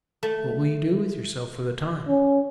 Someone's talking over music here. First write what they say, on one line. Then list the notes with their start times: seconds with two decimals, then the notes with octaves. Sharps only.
"What will you do with yourself for the time?"
0.23 A3
2.08 C#4